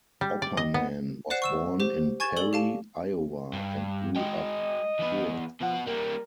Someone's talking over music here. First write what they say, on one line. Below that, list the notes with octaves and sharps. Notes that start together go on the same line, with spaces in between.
Opperman was born in Perry, Iowa, and "grew up poor".
G3
D5
D#5
B3
C5 D5 F#5 F#6 C7 E7
C#6 E6 E7
G4 C5
G#5 C#6 G#6 A6 E7
A4 D5 F#7 G7
G4 F5 A5
G2
G#3 D#5 G5
E2 B3
B2 F3 F#5
G3 A#3 A#4